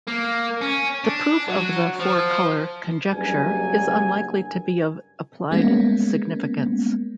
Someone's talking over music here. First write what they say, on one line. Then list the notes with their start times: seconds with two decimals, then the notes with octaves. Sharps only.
The proof of the four-color conjecture is unlikely to be of applied significance.
0.08 A#3
0.62 C#4
1.04 D4
1.48 F#3
2.00 F3
3.11 F#1 G2 F#3 G#5
5.51 G3 G#3 A#3 B3 C#4